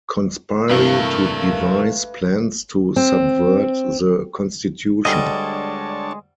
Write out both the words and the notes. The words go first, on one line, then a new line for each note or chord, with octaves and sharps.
Conspiring to devise plans to subvert the Constitution.
G2 C3 E3 A3 A#4 B4 F5
C4
D2 G3 G#3 D4 C#5 D#5 A5